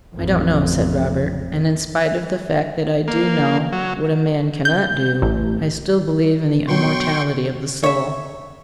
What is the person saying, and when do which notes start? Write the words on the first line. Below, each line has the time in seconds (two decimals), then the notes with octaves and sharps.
"I don't know," said Robert; "and in spite of the fact that I do know what a man CANNOT do, I still believe in the immortality of the soul."
0.15 A1 F2
3.08 A#3
3.72 F#3
4.65 G6
5.22 A1
6.68 B2 F#3 G5 C6 C#6
7.83 C#5 E5